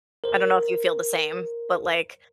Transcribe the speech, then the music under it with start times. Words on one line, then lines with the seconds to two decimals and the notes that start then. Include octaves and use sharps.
I don't know if you feel the same, but, like,
0.24 A#4 C5